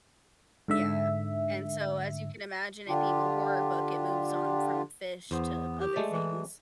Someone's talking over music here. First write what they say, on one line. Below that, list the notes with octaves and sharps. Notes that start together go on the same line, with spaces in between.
Yeah, and so, as you can imagine it being a horror book, it moves on from fish to other things.
G#2 D3 E5
D3 D4 F4 G4
E2 B3 C5
G4
G#3 A3 D5
E3